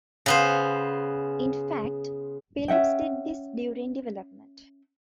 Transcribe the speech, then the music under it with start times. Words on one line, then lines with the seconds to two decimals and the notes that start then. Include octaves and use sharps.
In fact, Philips did this during development.
0.26 C#3 B3 C5
2.68 C#4 E5 F#5 G5